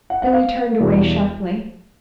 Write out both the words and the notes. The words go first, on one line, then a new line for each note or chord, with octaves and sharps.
Billy turned away sharply.
F#5
F#5
F5
E1 E2 B2 G3